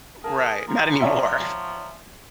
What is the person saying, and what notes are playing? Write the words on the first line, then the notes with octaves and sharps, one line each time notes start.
Right. Not anymore.
G#4 A#4 A5
F3 A#5
C#5 D5 E5 F#5 G#5